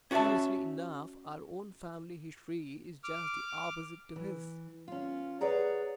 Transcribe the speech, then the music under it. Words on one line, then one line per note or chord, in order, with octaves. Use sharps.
Curiously enough our own family history is just the opposite to his.
C#4 F#4 D5 E5 A5
D6 F6
E3
C#4 F4
G#4 B4 C#5 D5 F#5 A#5